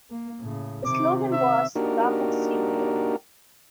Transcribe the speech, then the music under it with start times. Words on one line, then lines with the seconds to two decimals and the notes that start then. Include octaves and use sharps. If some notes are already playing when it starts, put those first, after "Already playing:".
The slogan was Rock 'N Stereo.
0.10 A#3
0.41 A2 C#3
0.85 C3 D#3 D6
1.32 E5
1.76 A#3 D4 D#4 F#4 G4 A#4